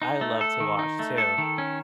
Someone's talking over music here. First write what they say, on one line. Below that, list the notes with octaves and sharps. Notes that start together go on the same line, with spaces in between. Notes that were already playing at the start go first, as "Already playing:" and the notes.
I love to watch too.
D#4
A3
A4
D#3
D#4
A3
A4
D#3
C#4